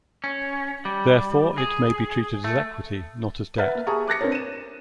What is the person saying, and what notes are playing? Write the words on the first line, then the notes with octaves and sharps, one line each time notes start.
Therefore, it may be treated as equity, not as debt.
C#4
G3
G#4
A3
B4 E5 F#5 F6 A6
A#3
G4 G#4 E5 A5 A#5 C#6
D6 F#6 A6 A#6 C#7
C4 D4 A#4 B4 C#5
D#7 E7